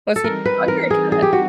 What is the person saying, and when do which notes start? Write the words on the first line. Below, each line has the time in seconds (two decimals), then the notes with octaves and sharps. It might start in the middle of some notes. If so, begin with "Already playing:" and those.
Was he a dog or a cat?
0.16 A4
0.24 E3 G3 C4 D#4 A#4
0.45 B4
0.68 A#4
0.90 G#4
1.12 G#4
1.22 G4
1.33 F#4